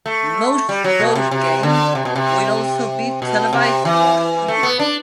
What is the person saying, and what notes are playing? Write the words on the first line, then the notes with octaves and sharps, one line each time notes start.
Most road game will also be televised or streamed.
A3
G3
F#3
B2
C3
C3
D3
C3
B2
C3
B2
C3
E3
A3
B3
D4